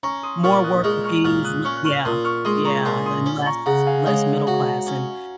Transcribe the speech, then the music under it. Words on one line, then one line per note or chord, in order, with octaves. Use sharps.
More worker bees, le yeah, yeah, and less less middle class, and
C#4 A#5 C#6
C6 D#6
A#2 C#6 F6
D#6 F#6
G#3 C#6 F6
C#6 F6
A#2 C#6 F6
D#6 F#6
C#4 C#6 F6
F#6
C#6 F6
A#2 C6 D#6
C#6 F6
G#3 C6 D#6
A#5 C#6
A#2 G#5 C6
C6 D#6
C#4
A#5 C#6
C#3 F#5 A#5
F5 G#5
G#3 C#5 F5
F#4
C#4